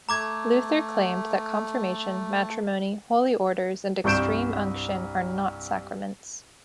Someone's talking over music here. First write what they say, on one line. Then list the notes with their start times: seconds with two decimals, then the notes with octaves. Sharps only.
Luther claimed that Confirmation, Matrimony, Holy Orders, and Extreme Unction are not sacraments.
0.09 A3 A#5 D6 G#6
4.04 C2 G2 C#6 G6 D7 E7